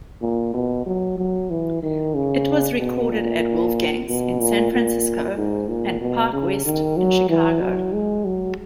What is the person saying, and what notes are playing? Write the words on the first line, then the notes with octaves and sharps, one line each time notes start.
It was recorded at Wolfgang's in San Francisco and Park West in Chicago.
A#2
B2
F#3
F#3
E3
D#3
C#3
B2
A#2
B2
A#2
A#2
G#2
A#2
B2
C#3
D#3
F#3
E3
F#3
G#3
F#3